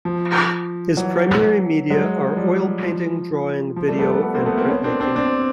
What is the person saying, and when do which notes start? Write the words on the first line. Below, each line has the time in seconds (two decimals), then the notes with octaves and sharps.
His primary media are oil painting, drawing, video and printmaking.
0.05 F3
0.97 E3 F#3
1.90 F#3 G#3
2.36 F3 G3
2.83 F3
3.76 F3
3.88 G3 A3
3.99 A3 B3
4.11 A3 B3
4.22 A3 B3
4.35 A#3 C4
4.46 A3 B3
4.57 A#3 C4
4.69 B3 C#4
4.84 C4 D4
5.00 C4 D4
5.16 C4 D4